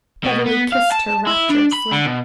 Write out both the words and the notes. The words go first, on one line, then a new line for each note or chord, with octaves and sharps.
Beverly kissed her rapturously.
B2
B3
F5
A5
E4
D4
B5
D3
B2